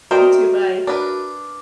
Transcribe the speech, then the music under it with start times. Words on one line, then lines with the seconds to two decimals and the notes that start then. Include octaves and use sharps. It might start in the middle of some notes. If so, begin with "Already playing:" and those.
You too, bye.
0.11 D#3 F#4 A#4 C5 D5 E5 G5
0.87 D4 A#4 B4